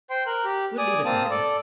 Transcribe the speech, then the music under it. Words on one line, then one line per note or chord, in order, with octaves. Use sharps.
We'll leave it to him.
C5 G5 C6
A#4 F#6
G4
D5 G#5 D#6
A#3 C4 A5 D#6
A4 D5